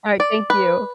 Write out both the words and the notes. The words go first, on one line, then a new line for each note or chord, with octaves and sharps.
Alright, thank you.
D5
B4